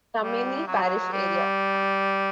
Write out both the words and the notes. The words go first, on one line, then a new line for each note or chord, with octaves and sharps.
Tammany Parish area.
G3
F#3
G3
F#3
G3